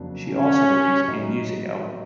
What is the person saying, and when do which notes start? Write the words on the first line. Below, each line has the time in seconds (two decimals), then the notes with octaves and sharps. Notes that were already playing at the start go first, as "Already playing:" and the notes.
She also released a music album.
Already playing: F2 C#3 F#3 A#3 D4
0.27 C#4
1.08 A2 F#3 B3 D#4